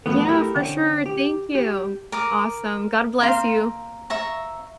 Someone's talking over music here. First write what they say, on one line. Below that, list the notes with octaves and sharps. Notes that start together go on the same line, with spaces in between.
Yeah, for sure, thank you. Awesome. God bless you.
E2 A2 F3 F#3 A3 B3
A3 E4 G4 A#4
D3 C4 C#4
G4
G4
A#4 D6 D#6
A#3 C4 F5
E5 A#5 C#6